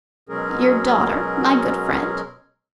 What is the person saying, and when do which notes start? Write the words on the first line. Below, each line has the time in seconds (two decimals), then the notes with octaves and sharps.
"Your daughter, my good friend?"
0.29 B2 F#3 G#3 C#4 G#4 A#4